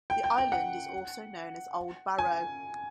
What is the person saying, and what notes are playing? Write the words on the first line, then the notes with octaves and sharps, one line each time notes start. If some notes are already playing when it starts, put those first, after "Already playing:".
The island is also known as 'Old Barrow'.
G5
G5
G5
F#5
G#5